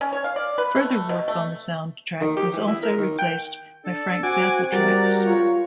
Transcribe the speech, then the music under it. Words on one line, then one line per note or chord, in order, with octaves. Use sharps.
Further work on the soundtrack was also replaced by Frank Zappa tracks.
C#4
C#5
F5
D5
B4
A3
A3
B2
A3
D#3
G4
E3
E4
A#4
D#3
G5
D4 A4
C4 F#4 G#5 D6
G3 F#4 A#4 D5
F4 C#5